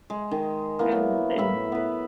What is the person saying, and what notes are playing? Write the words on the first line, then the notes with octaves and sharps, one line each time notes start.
And and
G#3
D#3
A#3 B3 E4
F#3
A2 E5 B5
B3 B4